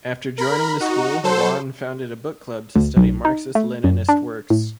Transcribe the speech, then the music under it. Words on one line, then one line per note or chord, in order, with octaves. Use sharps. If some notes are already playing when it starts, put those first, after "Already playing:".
After joining the school Wan founded a book club to study Marxist-Leninist works.
A#4 B5
D#4 F#4
F#3 A4 C5
D2
B1
D#4
A3
F#2
D4
A2